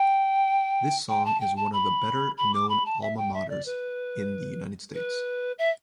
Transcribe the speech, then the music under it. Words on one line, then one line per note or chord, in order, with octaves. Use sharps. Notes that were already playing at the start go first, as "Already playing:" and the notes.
This song is one of the better known alma maters in the United States.
Already playing: G5
G5
A5
G5
A5
B5
B5
D6
B5
A5
E5
G5
E5
D5
B4
B4
E5